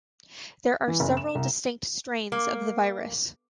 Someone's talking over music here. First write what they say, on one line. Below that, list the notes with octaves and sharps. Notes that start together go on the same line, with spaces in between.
There are several distinct strains of the virus.
E3
F#1
E7
C2
A#3